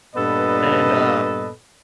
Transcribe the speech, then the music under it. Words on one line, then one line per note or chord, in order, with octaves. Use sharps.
And, uh,
G2 A#2 B3 A4 B4 D#5